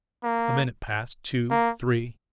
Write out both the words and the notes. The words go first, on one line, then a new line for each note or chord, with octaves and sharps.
A minute passed--two--three.
A#3
A#3